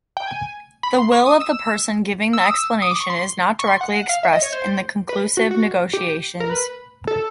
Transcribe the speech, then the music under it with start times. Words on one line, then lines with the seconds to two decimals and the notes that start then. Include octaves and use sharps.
The will of the person giving the explanation is not directly expressed in the conclusive negotiations.
0.17 G5
0.27 G#5
0.83 B5
0.98 C6
1.12 C#6
1.26 D#6
1.40 E6
2.33 E6
2.41 D#6
2.51 E6
2.82 D#6
2.91 D6
3.00 C#6
3.10 C6
3.59 C#6
3.67 C6
3.81 F#5
3.96 F#5
4.09 F5
4.23 E5
4.33 D#5
4.42 C#5
4.52 C5
5.09 B4
5.37 F#4
5.51 F#4
5.93 G4
6.40 A#4
6.50 B4
7.07 A4